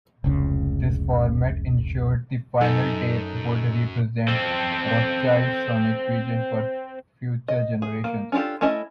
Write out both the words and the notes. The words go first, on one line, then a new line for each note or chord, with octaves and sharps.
This format insured the final tape would represent Rothchild's sonic vision for future generations.
F1 C#2 C#3
F#2 D#4 A4 G#5
C4 A4
D#5
G#4
A#3
C#4 D4 F4 G4 A4
A3 C#4 E4 D#5